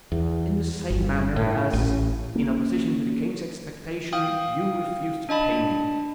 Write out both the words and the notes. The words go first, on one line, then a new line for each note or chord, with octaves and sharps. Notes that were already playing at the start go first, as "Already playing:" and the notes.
"In the same manner, as, in opposition to the king's expectation, you refused to pay me."
E2
G1
A2
A1
A#3 C#4
F5 G5 D#6
D4 D#5 A5 B5